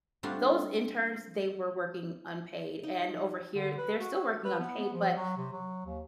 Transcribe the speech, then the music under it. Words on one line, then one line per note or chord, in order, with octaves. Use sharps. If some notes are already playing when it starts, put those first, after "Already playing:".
those interns, they were working unpaid, and over here, they're still working unpaid, but
G3 A3 C4 D4 F4 F#4
D#4
D3
B4
F#4
F#4
B4
B3
B3
F3
F#3
C3
F#3
D#2